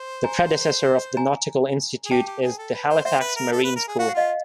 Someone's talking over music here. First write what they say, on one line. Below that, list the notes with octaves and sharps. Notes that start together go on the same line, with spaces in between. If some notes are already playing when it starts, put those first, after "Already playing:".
The predecessor of the Nautical Institute is the Halifax Marine School.
Already playing: C5
G#5 A#5
G#5 A#5
G#4
G4 G5 A5
G4
G#4
A4
B4
C5
C5 E5 F#5
B4
A#4
A4
B4
A#4
G#4
F#4 F5
F#5
F4 D#5 F5